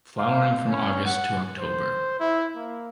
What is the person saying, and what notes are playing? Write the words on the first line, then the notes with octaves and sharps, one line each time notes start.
Flowering from August to October.
F5
C#4
F#5
C5
E4
A#3